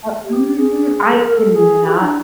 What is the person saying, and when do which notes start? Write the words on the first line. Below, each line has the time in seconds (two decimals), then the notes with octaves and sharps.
Uh, mhm, I cannot
0.24 G4
0.57 G#4
1.22 A#4
1.37 A4
1.54 G#4
1.85 G4
1.93 E4
2.01 D4